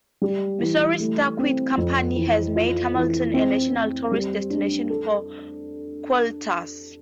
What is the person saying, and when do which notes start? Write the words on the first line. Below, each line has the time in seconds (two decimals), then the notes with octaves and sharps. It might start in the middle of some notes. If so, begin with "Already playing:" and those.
Missouri Star Quilt Company has made Hamilton a national tourist destination for quilters.
0.22 G3
0.60 E3
1.00 A3
1.39 C4
1.77 F2
2.16 E3
2.55 F4
2.95 E3
3.34 C4
3.72 C4
4.12 G3
4.50 D4
4.90 A4